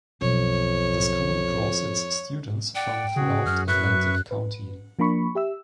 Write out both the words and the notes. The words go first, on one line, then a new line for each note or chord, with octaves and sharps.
The school draws its students from throughout Atlantic County.
B1 F2 C#5
D5 F#5 G5
C#3 F#4 G#4
F#2 F6
B4 E5 C#6 F#6
B4
F3 A#3 D4 B5 C#6
G4 E5 E6